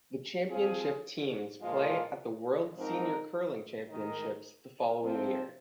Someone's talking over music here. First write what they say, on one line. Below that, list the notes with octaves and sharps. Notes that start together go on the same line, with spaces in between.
The championship teams play at the World Senior Curling Championships the following year.
F3 C4 F4 G#4
A#2 F3 G#3 F4
G#2 F3 C4 D#4 A#4
D#3 G#3 D#4 A#4 D#5
C3 F3 C4